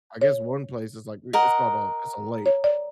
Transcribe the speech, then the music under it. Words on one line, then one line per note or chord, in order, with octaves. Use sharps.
I guess one place is, like, we it's called a it's a lake,
C#5
A#4 D#5 F#5
C#5
D5